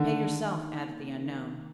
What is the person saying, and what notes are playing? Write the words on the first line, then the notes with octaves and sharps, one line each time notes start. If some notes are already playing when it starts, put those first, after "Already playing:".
"Pay yourself," added the unknown.
Already playing: D3 D#3 A#3 D#4